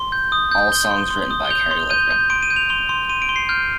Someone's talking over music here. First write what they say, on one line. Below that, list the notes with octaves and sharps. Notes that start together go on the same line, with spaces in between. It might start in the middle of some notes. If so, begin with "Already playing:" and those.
All songs written by Kerry Livgren.
Already playing: C6
G6
D#6
G6
G6 G7
C6
C6
D#6
G7
G6 F7
C6
G6 D#7
G6
C6 D7
D#7
G6
F7
C6 F7
C6
C6 D#7
D7
C6
C7
F6 G6